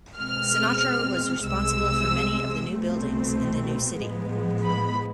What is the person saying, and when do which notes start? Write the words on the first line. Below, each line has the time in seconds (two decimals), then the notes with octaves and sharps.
Sinatra was responsible for many of the new buildings in the new city.
0.18 B2 G#3 C4 F6
1.45 C2 C3 G#3 E6
2.73 C2 B2 A3 C4
4.00 A2 F3 G#3 B3
4.63 B5